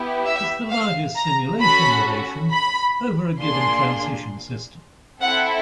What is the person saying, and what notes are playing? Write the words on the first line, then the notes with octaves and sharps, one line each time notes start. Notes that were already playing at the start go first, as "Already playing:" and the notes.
It is the largest simulation relation over a given transition system.
Already playing: B3 E4 G4
E5
F5
A#5
C#4 F#4 A4 B5
B5
A#3 D4 F4 G#4 C6
C4 E4 A4 F#5